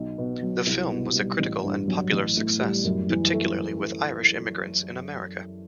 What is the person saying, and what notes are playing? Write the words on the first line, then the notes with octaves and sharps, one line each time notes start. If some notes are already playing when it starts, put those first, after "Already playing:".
The film was a critical and popular success, particularly with Irish immigrants in America.
Already playing: B1
B2
F#3
C2
B2
G3
A1
G2
F#3
A1
A2
G3
F#2
E3
A3